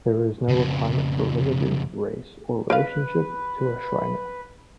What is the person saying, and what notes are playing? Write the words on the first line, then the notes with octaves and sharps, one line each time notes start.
There is no requirement for religion, race, or relationship to a Shriner.
F2 C#3
A#4 B4 D#5 F5